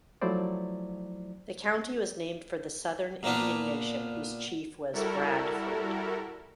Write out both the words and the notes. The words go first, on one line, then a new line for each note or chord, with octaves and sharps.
The county was named for the southern Indian Nation whose chief was "Bradford".
F3 F#3 A3 E4 C5 D5
A#2 A#3 B3 D4 F4
G3 E4 F#4 A4 A#4